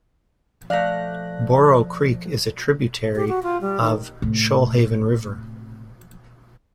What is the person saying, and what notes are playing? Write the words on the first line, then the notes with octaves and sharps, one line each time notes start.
Boro Creek is a tributary of the Shoalhaven River.
F3 A3 D5 F5 F#6 A#6
G4
F#4
F4
G3
D#3
A2 C3